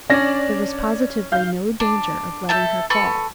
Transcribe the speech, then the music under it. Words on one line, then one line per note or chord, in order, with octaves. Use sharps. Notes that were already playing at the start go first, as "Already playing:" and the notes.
There was positively no danger of letting her fall.
C#4 D4 D5 A#6
F5 G6
D4
A4 E5 G6
A4 B4 B5 C#6